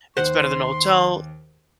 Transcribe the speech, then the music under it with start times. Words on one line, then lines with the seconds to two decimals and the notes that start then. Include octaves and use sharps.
it's better than a hotel."
0.17 D#2 C5 F#5 C6